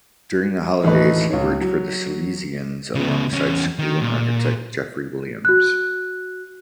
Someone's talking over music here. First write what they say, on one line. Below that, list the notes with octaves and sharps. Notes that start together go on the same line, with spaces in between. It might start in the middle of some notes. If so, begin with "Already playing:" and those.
During the holidays he worked for the Salesians alongside school architect Jeffrey Williams.
A1 D#2 E3 A3 D#4 B4
C#2 C#5
F#3
C#3 B3
E2 C#4
D#3
A#2
F#4 F#6